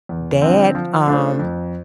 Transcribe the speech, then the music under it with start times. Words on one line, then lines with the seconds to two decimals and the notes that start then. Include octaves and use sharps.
dad, um
0.09 E2
0.42 D3 F3 C4
0.75 F3
1.08 A3 D4 F4 C5
1.39 F2